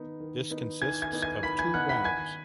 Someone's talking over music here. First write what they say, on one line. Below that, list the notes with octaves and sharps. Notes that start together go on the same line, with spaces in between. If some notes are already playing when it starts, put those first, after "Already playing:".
This consists of two rounds.
Already playing: D#3 B3 D#4
D#3
B3 D#4
D#3 G#5 G#6
G#5 G#6
B3 D#4
G#5 G#6
D#3 B5 B6
G#5 G#6
B3 D#4 F#5 F#6
B5 B6
D#3 G#5 G#6